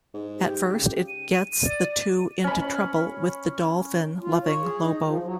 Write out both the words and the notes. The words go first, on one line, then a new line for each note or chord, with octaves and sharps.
At first it gets the two into trouble with the dolphin loving Lobo.
G#2
G4
C#3
D#7
D5
C#4 B5
F4
C#5
G#4
D#4
F3
F#3